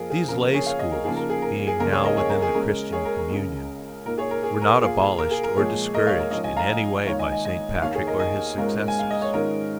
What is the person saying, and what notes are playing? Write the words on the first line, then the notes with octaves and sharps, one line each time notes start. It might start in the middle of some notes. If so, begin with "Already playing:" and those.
These lay schools, being now within the Christian communion, were not abolished or discouraged in any way by St. Patrick or his successors.
Already playing: F2 F3 A#3 F4 G#4 A#4
G#4
C#3 F3 A#3 F4 A#4
A#4
G#4 C#5
C#5 F5
D#5 G#5
A#4
C#3 F3 A#3 D#4 G#4
A#4
G#4
A#4
G#4
C#2 C#3 F3 A#3 F4 A#4
G#4 C#5
A#4 D#5
G#4 C#5
A#4
G#4
C#3 G#3 C#4 A#4
G#4 C#5
A#4
A#4
C#2 C#3 G#3
A#2 A#3 D#4 A#4
G#4 C#5
A#4
G#4
A#4
A#2 A#3 F4 G#4
A#4
G#4
A#4
A#2 F3 G#3 G#4 C#5
A#4 D#5
C#5 F5
A#4
G#2 F3 C#4 A#4 D#5
D#5 G#5
F5 A#5
D#5 G#5
G#2 D#3 A#3 F4 C#5 F5
D#5 G#5
D#5 G#5
D#5 G#5
D#2 D#3 A#3 C#5 F5
G#4 C#5
A#4 D#5
D#5 G#5
G#2 G#3 C#4 F4 A#4
G#5
F5
D#5
C#5
G#2 D#3 G#3 C#4 F4 A#4